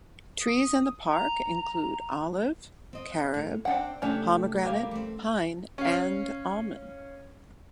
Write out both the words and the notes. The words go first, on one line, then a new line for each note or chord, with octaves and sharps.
Trees in the park include olive, carob, pomegranate, pine and almond.
D#6
A#5
C4 D#5
A2
C4 D4 C5 F#5 G5
C3 A3 C#4 D4 G4
G3 A#3 F5
A3 C4
C#4 F5